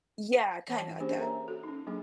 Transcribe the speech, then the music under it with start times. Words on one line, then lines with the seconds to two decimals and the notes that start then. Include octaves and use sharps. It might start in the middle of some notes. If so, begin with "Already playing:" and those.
Yeah. Kinda like that.
0.68 E3 A5
1.00 A#3 C#4 D4 G4 G#4 C5
1.18 A4 A#4 C#5 E5 A#5
1.48 F#4 A4
1.63 C#4 D#4
1.87 F#3 A#3 D4 G#4